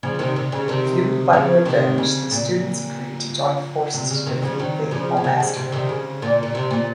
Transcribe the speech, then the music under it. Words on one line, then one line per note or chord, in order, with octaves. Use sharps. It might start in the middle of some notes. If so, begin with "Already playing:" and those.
Fuelled by revenge, the students agree to join forces to defeat the evil master.
C#3 F3
C3 D#3
C3
C#3
C3 D#3
C#3 F3
C3 D#3
C#3
A#2
C3
C#3
C3 D#3
C#3 F3
D#3 F#3
C#3 F3
C#3
C3 D#3
C#3
C3
C3 D#3
C#3
A#2
A#2
C3
A#2